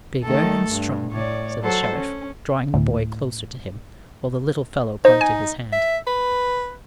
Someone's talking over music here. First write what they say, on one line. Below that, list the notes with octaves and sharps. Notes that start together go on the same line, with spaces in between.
"Bigger and stronger," said the Sheriff, drawing the boy closer to him, while the little fellow clung to his hand.
D#3 A3 A4
G2
A2 C#5 D5
F#3 A4 C5
C#4
D2 A2
D#4 C5
G#5
E5
B4